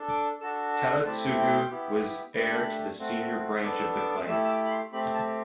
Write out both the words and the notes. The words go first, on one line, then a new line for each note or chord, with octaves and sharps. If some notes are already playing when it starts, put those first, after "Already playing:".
Tadatsugu was heir to the senior branch of the clan.
Already playing: D4 A4
D6
D4 F#4 A4 E6
E6
A3 C4 E4 G4 A5
G5
B3 E4 G4
A3 D4 G4 B5
A3 C4 F#4
B3 D4 A4 D6
E6
D6
D6
A3 E4 G4 E6
E6
D6
B5
C6
A3 C4 G4 B5
A5